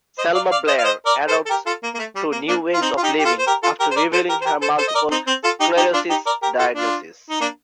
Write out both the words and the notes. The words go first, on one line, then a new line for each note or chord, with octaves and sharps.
Selma Blair adapts to new ways of living after revealing her multiple sclerosis diagnosis.
C5 D#5
D5 F5
D5 F5
C5 D#5
F5
C5 D#5
A#4 D5
A4 C5
A4
G4 A#4
F4 A4
A#3
A#3
A3
G3
A#3
A#3 D4
F4
C4 D#4
F4
D#4 G4
G4
F4 A4
C5
G4 A#4
F4 A4
G4 A#4
C5
A#4 D5
A4 C5
G4 A#4
C5
G4 A#4
A4 C5
A4 C5
D#5
A#4 D5
C4 D#4
C4
F4 A4
D#4 G4
D#4 G4
D4 F4
D#4 G4
A#4 D5
G4 A#4
F4 A4
D4 F4
D#4
A#3 D4